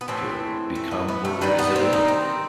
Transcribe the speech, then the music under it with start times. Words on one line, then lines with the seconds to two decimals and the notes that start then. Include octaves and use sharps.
to become more resilient
0.01 B3
0.08 A2 E3 A3 C4
0.75 A3
0.91 B3
1.08 B3
1.25 A3
1.41 D#3 G3 B3
1.59 B3
1.76 C4
1.93 D#4
2.08 C4